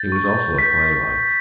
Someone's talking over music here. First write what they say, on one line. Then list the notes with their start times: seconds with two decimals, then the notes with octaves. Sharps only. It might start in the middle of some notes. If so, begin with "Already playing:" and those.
He was also a playwright.
Already playing: G6 A6
0.12 C#6
0.34 C#6
0.58 G6 B6